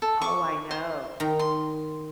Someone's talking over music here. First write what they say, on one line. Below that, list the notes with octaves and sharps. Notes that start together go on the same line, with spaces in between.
Oh, I know.
A4
C#6 D6
C5
D#3 A#5
C6